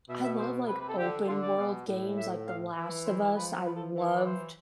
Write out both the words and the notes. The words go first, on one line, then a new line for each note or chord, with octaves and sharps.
I love, like, open-world games, like, The Last of Us, I loved
B2 E5
E5
C5
C3 B4
B4
A4
D3 G4
D3 F4
D5
B2
A2
E5
F5
E3
C5
F3 B4
B4
A4
E3
D5
C5